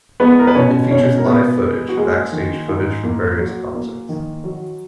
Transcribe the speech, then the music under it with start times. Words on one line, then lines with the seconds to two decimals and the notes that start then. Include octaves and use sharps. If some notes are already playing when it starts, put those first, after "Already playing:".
It features live footage, backstage footage from various concerts.
0.20 G#3 B3 B4
0.39 A#4
0.47 B4
0.55 B2 C#4 C#5
0.91 B2 C#4 C#5
1.18 A#4
1.26 G#3 B3 B4
1.61 G#3
1.88 F#4
1.97 G#3 A#3 G#4
2.32 D#3
2.68 G#2
3.03 A#3
3.39 F#3
3.74 A#3
4.09 D#3
4.44 F#3